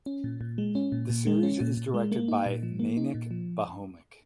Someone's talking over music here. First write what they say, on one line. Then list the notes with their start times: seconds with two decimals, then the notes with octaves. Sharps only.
The series is directed by Mainak Bhaumik.
0.06 C#4
0.24 A#2
0.41 A#2
0.58 G#3
0.75 C#4
0.92 A#2
1.10 A#2
1.27 G#3
1.43 C#4
1.61 A#2
1.77 A#2
1.94 G#3
2.12 A#3
2.28 D#4
2.46 A#2
2.63 F3
2.79 A#3
2.97 D#4
3.15 A#2
3.31 F3